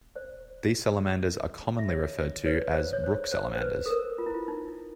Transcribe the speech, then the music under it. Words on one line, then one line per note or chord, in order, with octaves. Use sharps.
These salamanders are commonly referred to as brook salamanders.
C5 D5
E5
C#5 D#5
B4 C#5
C5 D5
C#5
C5
C5
C5
B4
A4
A#4
F4
E4
F4
D#4